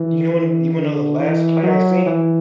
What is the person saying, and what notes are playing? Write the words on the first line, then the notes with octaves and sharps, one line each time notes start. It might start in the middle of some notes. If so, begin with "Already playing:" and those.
you know when you wanna know the last play I seen?
Already playing: E3
E3
D3
E3
F#3
E3